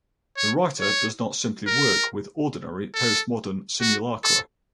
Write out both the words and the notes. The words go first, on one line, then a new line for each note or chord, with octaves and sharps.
The writer does not simply work with "ordinary" postmodern simulacra.
C#5
C#5
A#4
A4
F#4
A4